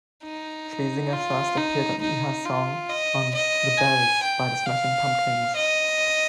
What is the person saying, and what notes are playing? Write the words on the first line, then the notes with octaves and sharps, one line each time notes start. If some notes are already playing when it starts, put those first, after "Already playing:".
Schlesinger first appeared on Iha's song on "The Bells" by The Smashing Pumpkins.
D#4
F4
D#4
D#4
F4
D#5
D#5
G#5
G5
F5
D#5